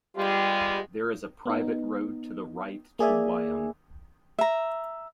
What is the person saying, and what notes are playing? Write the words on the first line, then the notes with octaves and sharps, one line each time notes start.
There is a private road to the right to Wyham.
G3 G#3 B3 F4 G4
B3 D#4
A#3 G#4 D5 E5 G#5
E5 A#5